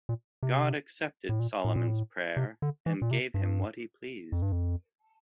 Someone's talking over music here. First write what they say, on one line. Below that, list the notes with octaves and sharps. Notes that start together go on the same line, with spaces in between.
God accepted Solomon's prayer and gave him what he pleased.
A#2
C3
A2
A#2
A2
A#2
A2
C3
D3
E3
A#2
C3
G2
F2
G2
F2